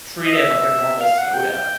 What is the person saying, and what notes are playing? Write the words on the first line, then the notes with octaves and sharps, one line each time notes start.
treat it like a normal soda.
D#5
E5
F5
F#5
G5